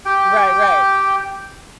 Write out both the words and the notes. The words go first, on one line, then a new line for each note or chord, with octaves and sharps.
Right, right.
G4 G5